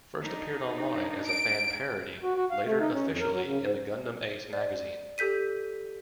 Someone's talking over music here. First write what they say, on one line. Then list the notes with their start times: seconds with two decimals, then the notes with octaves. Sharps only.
First appeared online as a fan parody, later officially in the Gundam Ace magazine.
0.22 D4 D#4
1.26 D7
2.21 F#4
2.35 F#4
2.51 F5
2.65 A3
2.80 D#4
2.93 C#4
3.08 F2
3.21 A#4
3.32 F#3
3.44 C#3
3.61 G#2
4.53 D5
5.18 G4 A4 G6 B6 D#7